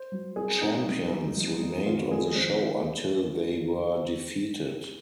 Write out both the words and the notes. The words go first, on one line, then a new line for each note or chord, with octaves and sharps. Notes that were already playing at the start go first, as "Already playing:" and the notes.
Champions remained on the show until they were defeated.
Already playing: C5
F#3
C2 G#4
C3 D#4
F#2
F#3
F2
F2
G#1 F4
F#4
F3 G#4
G#1 C5